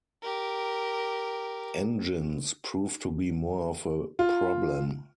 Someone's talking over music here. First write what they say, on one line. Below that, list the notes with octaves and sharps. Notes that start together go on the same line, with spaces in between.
Engines proved to be more of a problem.
G4 A#4
F4